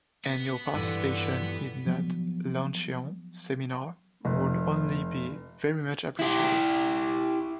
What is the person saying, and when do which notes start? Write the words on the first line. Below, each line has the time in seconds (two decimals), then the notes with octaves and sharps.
And your participation in that luncheon seminar would only be very much appreciated.
0.24 B3
0.74 G2 A#2 D3 E3
1.86 F3 F#3 B3
4.25 F1
6.19 E4 G4